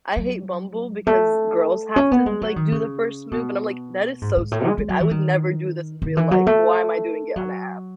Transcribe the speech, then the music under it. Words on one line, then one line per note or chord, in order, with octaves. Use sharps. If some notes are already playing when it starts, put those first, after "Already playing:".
I hate Bumble because girls have to, like, do the first move, and, I'm like, "That is so stupid. I would never do this in real life. Why am I doing it on a app?"
F#3
A3
C#4
B3
G#3
F#3
D#3
C#3
B2
G#2
G#2
A2
G#3
G#3
F#3
E3
D#3
D#3
E3
F#3
A3
F#3